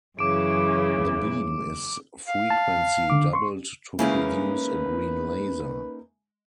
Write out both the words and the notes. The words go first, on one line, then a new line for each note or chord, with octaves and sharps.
The beam is frequency doubled to produce a green laser.
F#2 C#3 E3 D6 D7
F5
A5
D3 D6
C6 C#6
C#3 G#3 A#3 C#4 D#4 E4 B4